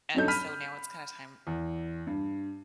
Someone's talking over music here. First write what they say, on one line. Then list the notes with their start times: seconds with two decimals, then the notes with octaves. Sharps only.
and, so now it's kinda time
0.14 G2 F#3 C#4 D#4 A4 G6
0.28 B5 F6 B6 D#7
1.47 E2
2.07 G2